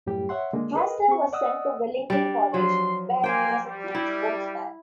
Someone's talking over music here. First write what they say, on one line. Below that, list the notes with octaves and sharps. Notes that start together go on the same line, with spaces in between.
Hasler was sent to Wellington College, where he was a keen sportsman.
F#2 A2 G3 G4
C#5 E5 F#5 C6
D3 G#3 A#3
G#4 A#4 B4 D#5
C4 C#6
D5 D#5 F#5 D#6 E6
G3 D4
F3 F#3 C6
A#3 C5 G5 G#5
G3
E4